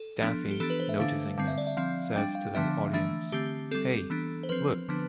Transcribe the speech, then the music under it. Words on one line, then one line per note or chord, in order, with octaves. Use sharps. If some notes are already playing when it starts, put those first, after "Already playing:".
Daffy, noticing this, says to the audience, Hey, look!
Already playing: A4
F3 B3 D4
G4
E3 B3 D4 A4
B4
C5
E5
D3 A3 D4 F5
D3 G3 C4 F5
E5
D5
E5
F3 C4 F5
G3 D4 G5
F5
D3 F3 B3 D4 E5
E3 A3 D4 E5
D3 A3 C4 G4
G3 C4 A4
E3 B3 D4
C5
F3 C4 B4
D3 F3 B3 D4